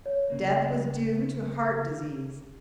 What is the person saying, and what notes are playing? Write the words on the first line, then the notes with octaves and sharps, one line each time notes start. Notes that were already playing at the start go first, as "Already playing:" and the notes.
Death was due to heart disease.
C#5
C#3 A#3